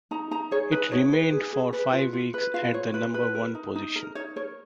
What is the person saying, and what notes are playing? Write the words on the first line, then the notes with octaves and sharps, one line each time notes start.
It remained for five weeks at the number-one position.
D#4 A#5
D#4 A#5
G#4 C#5
D#4 B4
D#4 C#5
B4
G#4
G#4
B4
F4
F4
B4
F4 F5
F4 C#5
F4 B4
F4 B4
A#4
D#4
D#4
A#4
D#4 C#5
A#4 C#5